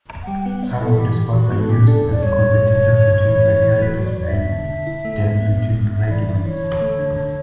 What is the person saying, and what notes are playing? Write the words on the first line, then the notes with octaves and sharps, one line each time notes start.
Some of these sports are used as competitions between battalions and then between regiments.
F#5
G3 G5
G5
B3 F#5
B3 B4
E4 A4
E3 G4
E3
E3 F#4
B3
A4
C#3 G4
D4 A4
E2
D5
G3 C#5
G2
G2
D3
G2
F#2
E3
E4
E3
F#3 B4
F#3
D5
C#5
E2 D5
E5
B2
D3
D3
E4
A3
A2
B3
A2
A2
A2 E5
E3 D5
E4
E3 C#5
D3
A3
D3
D3